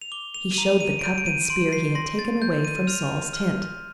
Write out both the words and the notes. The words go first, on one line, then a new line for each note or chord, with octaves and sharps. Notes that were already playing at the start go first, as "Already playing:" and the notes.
He showed the cup and spear he had taken away from Saul's tent.
F7
D6 G7
F7
D#7
A#5 F7
D#7
D7
G6 D#7
D7
D#7
C6 D7
C7
C6 A#6
A6
G6
D#7
F6 F7
F6